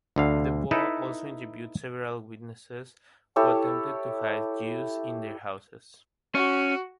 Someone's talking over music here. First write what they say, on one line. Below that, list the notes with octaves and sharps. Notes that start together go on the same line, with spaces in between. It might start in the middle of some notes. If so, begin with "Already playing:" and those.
Desbois also interviewed several witnesses who attempted to hide Jews in their houses.
D2 D3 F5
D#4 E4 A4 B4
E4 G4 A4 C#5
C#4 F#4